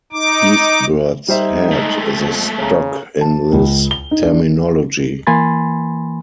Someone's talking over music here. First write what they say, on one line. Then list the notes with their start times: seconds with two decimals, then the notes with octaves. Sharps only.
East Bird's Head is a stock in this terminology.
0.13 D#4 D6
1.28 G3 D#4 C5 E5
1.71 G#3 A3
2.18 F2
2.58 C#3 C#5 A#5
3.21 A5
3.53 C#2
3.91 G7
4.11 D#4
4.23 D4
5.27 E3 A#3 G#5 B5 C6 A6